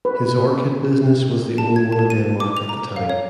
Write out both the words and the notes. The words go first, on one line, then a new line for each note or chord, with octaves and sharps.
His orchid business was the only one in Denmark at the time.
B4
A5
G#6
A5
D#7
D6
F7
A#5
F5
C#5